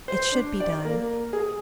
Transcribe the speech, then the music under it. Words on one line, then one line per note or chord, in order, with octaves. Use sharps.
It should be done!
C5
D4
D5
A#3
G#4